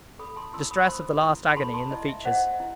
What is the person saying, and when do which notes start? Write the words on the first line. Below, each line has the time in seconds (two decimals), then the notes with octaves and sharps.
The distress of the last agony in the features.
0.19 A4 B5 D#6
0.36 A5 C6
0.53 E4 C6 E6
0.70 B5 D#6
0.88 C5 C6 E6
1.22 E4
1.51 B5
1.56 A4 A5 C6
1.74 A5 C6
1.91 E4 D#5
2.08 E5
2.25 C5 D#5 F#5
2.60 E4